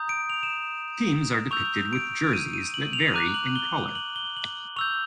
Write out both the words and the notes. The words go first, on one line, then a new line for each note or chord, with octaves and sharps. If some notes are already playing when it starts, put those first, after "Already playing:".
Teams are depicted with jerseys that vary in color.
Already playing: A#5 D#6 G6
D7
F7
E7
C#6 E6 G6 F7
D7
D#7
D#7
F#7
F7
A#5 D6 F#6 D#7
F#7
G7
F#7
G7
F#7
C#6 E6 G6 F7